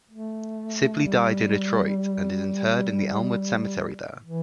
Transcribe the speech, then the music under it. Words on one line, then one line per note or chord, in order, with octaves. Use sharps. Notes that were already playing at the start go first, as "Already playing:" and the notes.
Sibley died in Detroit and is interred in Elmwood Cemetery there.
A3
G3
E3